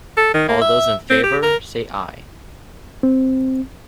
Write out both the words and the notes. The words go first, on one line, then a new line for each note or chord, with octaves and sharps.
All those in favour, say Aye.
A4
D#3
A#3
E5
C4
G4
A#4
C4